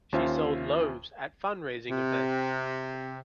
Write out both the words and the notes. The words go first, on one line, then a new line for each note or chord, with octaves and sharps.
She sold loaves at fundraising events.
D#2 C#4 F4 C5 E5
C3